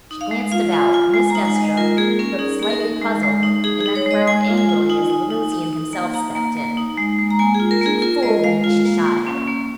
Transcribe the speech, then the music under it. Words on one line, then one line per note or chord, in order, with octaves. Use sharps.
She glanced about, missed Estra, looked slightly puzzled, and then frowned angrily as the Venusian himself stepped in: "You fooled me!" she shot at him.
D#4
F5
G#3
F4 F5
F4 G#5
F4 G#5
G#3 G#5
A#5
D#4
G#5
G#3 D#5
F4 A#4
A#3 G#4
C#4 A#4
D#4 G#4
A#3 G#4
A#4
D#4
G#3
G#3
D#4
D#4 G#4
G#4
D#4
C#5
G#3 D#5
G#3 G#5
F4
G#5
F4
D#4 G#5
D#4
D#4
D#4
D#4
A#3
D#4 A#5
A#3
A#3
D#4
G#3
G#3
A#5
A#3 G#5
G#4
F4
A#4
A#3 G#4
F4 A#4
G#3 D#5
G#3 F5
F4
A#3
A#3
C#4
A#3